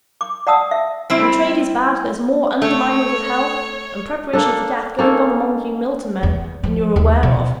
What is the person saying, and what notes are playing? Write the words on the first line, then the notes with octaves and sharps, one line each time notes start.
When trade is bad, there's more undermining of health, and preparation for death, going on among you Milton men than you're aware of.'
D6
D5 F#5 A5 D#6 E6
E5
G3 C4 E4
A3 C#5
A#3 D4 A4
A#3 C#4 D#4 A4
E2
F3
D#2
B2